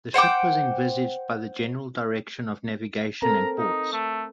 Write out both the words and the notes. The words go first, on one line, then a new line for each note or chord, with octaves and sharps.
The ship was envisaged by the General Direction of Navigation and Ports.
C5 F#5 G5 D6
C4 A4 A#4 A#5
D#4
A3